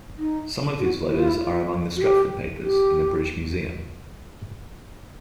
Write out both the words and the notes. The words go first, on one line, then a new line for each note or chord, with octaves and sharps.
Some of his letters are among the Strafford papers in the British Museum.
D#4
F#4
E4
F4
E4
F4
F#4
G4
G4